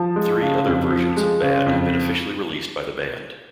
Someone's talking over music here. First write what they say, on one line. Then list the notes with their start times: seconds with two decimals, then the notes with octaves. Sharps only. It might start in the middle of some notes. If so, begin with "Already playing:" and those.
Three other versions of "Bad" have been officially released by the band.
Already playing: F3 A5
0.16 G#3
0.41 C#3
0.67 F2
0.91 F3
1.17 G#3
1.42 C#3
1.66 F2